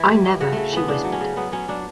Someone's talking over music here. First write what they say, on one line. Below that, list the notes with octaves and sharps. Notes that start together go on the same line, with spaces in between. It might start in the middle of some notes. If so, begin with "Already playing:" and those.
"I never," she whispered.
Already playing: E3 E4
G3
G2
C#3 F#4
C#3 A3
E3 B3
C#3 D4
F#3
C#4
C#3
F#3 B3
F#3 C#4
F#3 D4